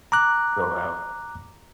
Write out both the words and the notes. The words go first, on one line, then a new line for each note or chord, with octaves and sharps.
go out.
A#5 D6 F#6